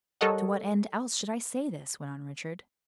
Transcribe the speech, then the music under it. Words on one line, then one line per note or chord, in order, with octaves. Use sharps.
"To what end, else, should I say this?" went on Richard.
G3 A4 A#4 C#5 D#5 F#5